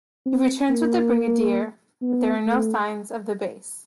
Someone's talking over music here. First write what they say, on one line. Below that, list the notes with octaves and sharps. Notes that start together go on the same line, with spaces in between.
He returns with the Brigadier, but there are no signs of the base.
C4
A#3
B3
A3